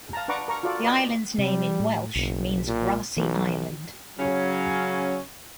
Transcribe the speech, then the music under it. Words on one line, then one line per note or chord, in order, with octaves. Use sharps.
The island's name in Welsh means "Grassy Island".
F5 A5 A#5
D4 B4 F#5 A#5 C#6 D6
A#4 A#5 C#6
F4 F#4 A4 D5 F5
B4 D5 D#5 G5
C3 G3
A2
F#1 B1
A#2
B1 E3
C#3 F#3 C#4